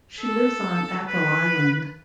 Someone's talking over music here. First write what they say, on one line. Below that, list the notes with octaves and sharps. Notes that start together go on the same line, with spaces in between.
She lives on Achill Island.
A4
B4